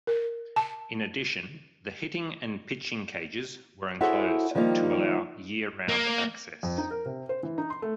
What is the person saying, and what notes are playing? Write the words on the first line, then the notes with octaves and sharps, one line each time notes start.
In addition, the hitting and pitching cages were enclosed to allow year-round access.
A#4
A5
E4 F#4 G#4 A4 C5 C#5
D#3 F3 G3 A#3 D#4
A#3
F2
D#4
A#4
C3
C5
E3
D#4
C6
A3